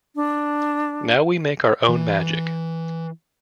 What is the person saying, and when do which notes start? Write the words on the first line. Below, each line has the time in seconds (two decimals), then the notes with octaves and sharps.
Now we make our own magic.
0.15 D4
1.89 E3